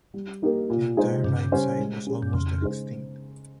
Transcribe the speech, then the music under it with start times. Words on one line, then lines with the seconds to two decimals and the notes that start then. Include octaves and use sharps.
His entire right side was almost extinct.
0.14 G3
0.42 A#3 D#4 G4 A#4
0.70 A#2
0.97 G#3 D#4 G#4 C5
1.24 G2 C#3
1.52 G3 C#4 G4 C5
1.78 G#3
2.07 C#4 G#4
2.23 G2
2.33 F2 C#3
2.61 G#3 D#4 G#4 C5